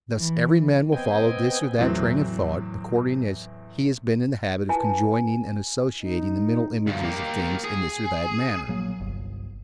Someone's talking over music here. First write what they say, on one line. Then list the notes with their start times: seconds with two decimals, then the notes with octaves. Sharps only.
Thus every man will follow this or that train of thought, according as he has been in the habit of conjoining and associating the mental images of things in this or that manner.
0.16 E3
0.93 B3 C4 D#5 G5 G#5
1.78 E2 A2 F#3 C4
4.69 E4 B4 G#5 A5
6.02 D#4
6.87 D2 G2
7.03 A#3 G4
7.64 G#4
8.68 A#1 F#3 A#3
9.00 G1 C2